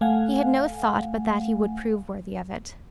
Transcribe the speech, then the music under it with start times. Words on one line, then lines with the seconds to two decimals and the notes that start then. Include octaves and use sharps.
He had no thought but that he would prove worthy of it.
0.01 A3 F5 F#5 G#5